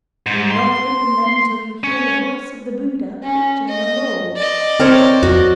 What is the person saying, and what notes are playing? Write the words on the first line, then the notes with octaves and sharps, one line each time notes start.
Do not open them until you hear the voice of the Buddha preaching the Law.
G#2
C6
C#4
C#4
D#5
D5 D#5
C4 A#4 C5 C#5
F2 F#4